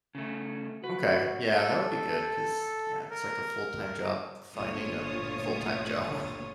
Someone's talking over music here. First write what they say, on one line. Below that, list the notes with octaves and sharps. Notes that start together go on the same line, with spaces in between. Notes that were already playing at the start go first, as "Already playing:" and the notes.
Okay. Yeah, that would be good 'cause, yeah, it's like a full time job finding a full time job.
C#3 A3
F#4 B4
A4
A#4
G1 D2 A#2 F4 C#5 D#6